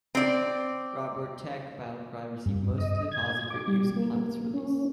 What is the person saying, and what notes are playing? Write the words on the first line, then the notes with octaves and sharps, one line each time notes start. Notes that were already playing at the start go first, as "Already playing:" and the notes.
"Robotech: Battlecry" received mostly positive reviews upon its release.
C4 D5
G2
D#5
G#6
D6
G3
A#3
A#3
C#4